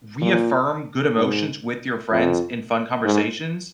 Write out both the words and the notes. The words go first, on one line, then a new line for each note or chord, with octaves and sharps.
reaffirm good emotions with your friends in fun conversations,
A#2
G#2
F2
G#2